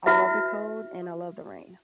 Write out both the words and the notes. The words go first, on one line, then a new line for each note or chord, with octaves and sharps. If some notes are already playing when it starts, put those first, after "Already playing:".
I love the cold, and I love the rain.
E4 F#4 B4 E5